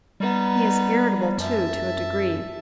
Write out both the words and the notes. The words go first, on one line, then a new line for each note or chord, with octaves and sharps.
He is irritable, too, to a degree.
G3 B3 D#4
F#2 E5 A5